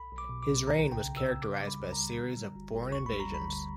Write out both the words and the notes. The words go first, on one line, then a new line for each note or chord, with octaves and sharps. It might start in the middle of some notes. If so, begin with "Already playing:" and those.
His reign was characterised by a series of foreign invasions.
Already playing: B1 B5
B1
D6
B2
D6
B1
C#2 A#5
C#3
G5
C#3
E6
C#3
C#3 D6
G3
B5
C#2
A#5
G3
D3
G3
G1
G1
D2 C#6
B5
G3
A#5
D2 B5
D3